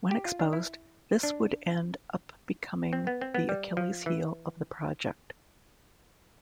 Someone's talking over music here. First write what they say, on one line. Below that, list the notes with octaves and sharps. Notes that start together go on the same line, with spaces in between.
When exposed, this would end up becoming the "Achilles' heel of the project".
G4
F4
D4
E4
D4
C4
B3
C4
B3
G3
F3
E3